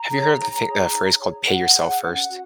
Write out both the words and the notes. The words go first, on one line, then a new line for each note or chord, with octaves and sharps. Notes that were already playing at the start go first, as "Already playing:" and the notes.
have you heard of the thi of the phrase called pay yourself first?
Already playing: A#5
G#4 C#5
D#4
G#4 C#5
D#4
G#4 C#5
D#4 F#5
G#4 C#5
C#4
F#4